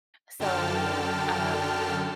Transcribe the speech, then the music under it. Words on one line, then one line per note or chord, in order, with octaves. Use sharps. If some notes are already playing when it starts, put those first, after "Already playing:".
So, um
F#2 D3 G5 A5 F6